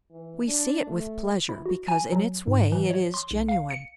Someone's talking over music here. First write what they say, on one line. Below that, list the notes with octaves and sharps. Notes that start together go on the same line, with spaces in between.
We see it with pleasure, because, in its way, it is genuine.
E3
D4
A3
E4
F#4
G#5
F#3
G#2
E3
C#5
C6
B1
F5
C#7